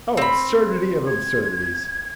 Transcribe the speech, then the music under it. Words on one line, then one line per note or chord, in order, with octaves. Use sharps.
Oh, absurdity of absurdities!
C4 B5
G#6